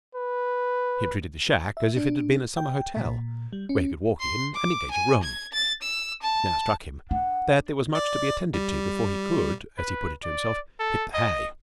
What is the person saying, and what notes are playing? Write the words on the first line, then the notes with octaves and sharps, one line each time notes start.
He had treated the shack as if it had been a summer hotel, where he could walk in and engage a room. It now struck him that there was much to be attended to before he could, as he put it to himself, hit the hay.
B4
E5
D4
G5
A#2
G3
C#4
C6
D6
G#5
G#6
A6
E6
A5
D4 F#5
D5
G3
B4
D5
A4
D#5